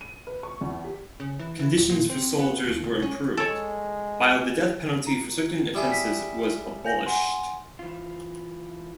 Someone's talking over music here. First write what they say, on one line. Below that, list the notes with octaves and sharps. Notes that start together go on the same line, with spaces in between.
Conditions for soldiers were improved, while the death penalty for certain offences was abolished.
D#7
B4
C#6
E2
G4
C#3
E3
E3
D1
A#2
C4
B3
D#2
C2
C#4
G#3 A4 C#5
A#5
G3 E4 G#4
B6
G#5 G6 A#6
F#5 G#5 C6
E3 F4